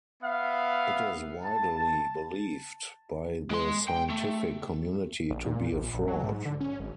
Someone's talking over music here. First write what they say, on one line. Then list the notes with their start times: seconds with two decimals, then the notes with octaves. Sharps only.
It is widely believed by the scientific community to be a fraud.
0.22 B3 E5 F5
1.44 A5
3.50 G#3 C6
3.89 G5
4.10 A3
5.30 A#1
5.46 A#2
5.73 A#1
5.94 A#1
6.08 F#3
6.23 G#2
6.45 D3
6.60 C#4
6.80 G#1